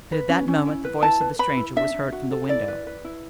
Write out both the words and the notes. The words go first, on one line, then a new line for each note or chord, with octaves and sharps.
But at that moment the voice of the stranger was heard from the window.
B4
C#4
C#4
E4
B4
E4 A5
B4
B4 B5
E4
D4 E5
D4
F#4
A4
E4 D5
B4
B4
E4